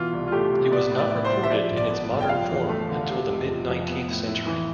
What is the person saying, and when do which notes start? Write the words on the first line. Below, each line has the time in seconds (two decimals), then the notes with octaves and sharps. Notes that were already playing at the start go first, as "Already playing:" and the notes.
It was not recorded in its modern form until the mid-nineteenth century.
Already playing: B2 E3 F4
0.13 C2
0.28 F4
0.32 A3 G4
0.53 C3
0.72 B3 D5
0.91 A2
0.98 D5
1.11 E4
1.25 C5
1.31 G3
1.43 E5
1.51 F3 D5
1.71 G1
1.77 D5
1.90 B3
2.04 D5
2.10 G2
2.21 G5
2.29 F3 F5
2.49 E2
2.69 A3
2.89 D3
3.09 C3
3.29 F1
3.49 F3
3.68 F2
3.88 B3
4.08 A2
4.27 E4
4.47 E3